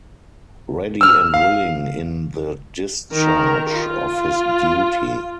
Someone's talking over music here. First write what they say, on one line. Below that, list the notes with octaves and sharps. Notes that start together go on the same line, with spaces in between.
Ready and willing in the discharge of his duty.
E6 F6
F5
D#3 A#4
F4